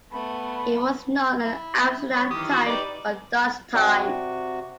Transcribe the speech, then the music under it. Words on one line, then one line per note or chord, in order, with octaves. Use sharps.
It was known as Amsterdam Time or Dutch Time.
A3 B3 B5
E4
C#5
D#3 E3 G4 D#6
F#4
D#4 G4 B4 D5
C3 F#4 D5 G5